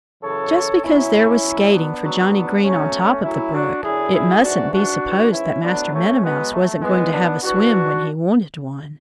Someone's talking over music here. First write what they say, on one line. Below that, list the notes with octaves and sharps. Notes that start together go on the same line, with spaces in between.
Just because there was skating for Johnnie Green on top of the brook it mustn't be supposed that Master Meadow Mouse wasn't going to have a swim when he wanted one.
F#2 C#3 E3 A4 C#5
B2 F#3 C#4 E4
B2 F#3
B3 D4
G#2 F#3
B2 F#3 A3 C#4
A2 F#3 C#4 E4
D4 F#4
F#2 D3 F#3 E4 G#4
E4 G#4
G#2 E3 D4 F#4
D4 F#4
G#2 E3
C#4 E4
A2 F#3 B3 D4
A3 C#4
B2 F#3 G#3 B3
A3
F#2 E3 G#3 B3
B3 D4
G#2 E3 D4 F#4